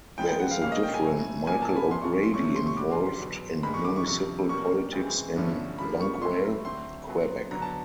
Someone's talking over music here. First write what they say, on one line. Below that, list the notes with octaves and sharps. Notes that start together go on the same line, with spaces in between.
There is a different Michael O'Grady involved in municipal politics in Longueil, Quebec.
C#3 F3 G#3 C4 G5
G5
F#5
F5
A#2 G3 A#3 C#4 F5
D#5
G5
G#5
A2 F#3 A3
A#2 F3 A#3 G#5
A5
B5
A#2 F3 A3 C6
C#6
C#6
C6
C3 F3 A3 C#4 C#6
C#6
C6
C#6
G2 D3 G3 D6
C6
C6
E2 B2 F#3
G2 D#3 G#3 B5
C#6
D6
C#6
F2 C3 F3 C#6
B2 G3 A#3 C#4 C#6
C#3 E3 G#3 C4
G2 D3 F3 A3 C#4
C#3 F3 A#3 B5
C#6
C#6
A2 F#3 A3 C#4 C6
D3 F#3 A3 C4 C6
C#3 F#3 B3
D3 F#3 B3 A#5
A5